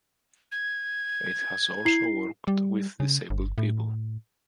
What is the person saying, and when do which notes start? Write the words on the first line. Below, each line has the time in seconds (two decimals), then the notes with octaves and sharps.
It has also worked with disabled people.
0.52 G#6
1.85 E4 C7
2.48 G3
3.00 C#3
3.30 G1
3.58 A2